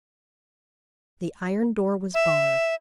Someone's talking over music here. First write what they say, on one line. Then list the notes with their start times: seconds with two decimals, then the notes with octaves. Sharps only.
The iron door was barred.
2.14 E5